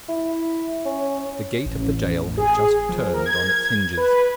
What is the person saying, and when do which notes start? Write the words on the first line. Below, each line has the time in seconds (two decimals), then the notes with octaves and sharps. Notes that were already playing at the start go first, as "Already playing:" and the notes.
The gate of the jail had just turned on its hinges.
0.09 E4
0.85 C#4
1.66 A1
2.37 G#4
2.89 F3
3.14 A#4
3.26 G#6
3.97 B4